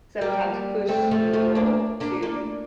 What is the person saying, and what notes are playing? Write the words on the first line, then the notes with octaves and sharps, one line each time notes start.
sometimes push people to,
G3 A#3
A3 C4
F3 A3
F3 A3
A#3 D4
A#3 D4
A#3 D4